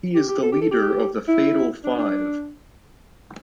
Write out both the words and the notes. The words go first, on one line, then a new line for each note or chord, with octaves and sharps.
He is the leader of the Fatal Five.
G4
G4
A4
G4
A4
G4
E4
D4
D4